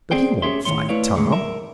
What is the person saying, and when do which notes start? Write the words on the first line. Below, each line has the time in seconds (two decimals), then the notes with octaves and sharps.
"But he won't fight, Tom."
0.11 C4 G#4 C5 D5 G5
0.42 C#4 G4 G#4 C#5 E5 C6
0.65 A2 D#3 G#3 C#5 C6
0.89 A3 E4 B4 C#5 D5 F5
1.16 A2 D3 G#3 A3
1.32 A#4 E5